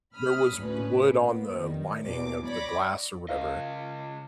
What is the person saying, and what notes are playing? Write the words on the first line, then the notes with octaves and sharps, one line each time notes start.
there was w wood on the lining of the glass or whatever,
B5 D#6 F6
D2 A2 C#4 B4
A#3 B3
D#3 G3
E2 B2 D6
C#5 D5 B5 D6 A#6
C#3 F4 A#4 D#5 F5